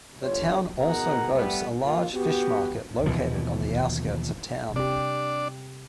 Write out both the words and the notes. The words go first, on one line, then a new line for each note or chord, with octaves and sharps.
The town also boasts a large fish market located on the outskirts of town.
G1 D2 F4 C#5
B2 D#4 G#4 A#4 F#5 A#5
G3 A3 B3
D#2 A2 D3 A#3 F4
B3 F#4 G4
D#2 B2 E3 F3
C3 D4 G4 D5